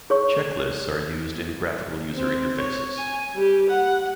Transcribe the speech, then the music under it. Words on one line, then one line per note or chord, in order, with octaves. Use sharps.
Checklists are used in graphical user interfaces.
G#4 C#5 C#6
C4
C#5
G#5
G3 G4
F#5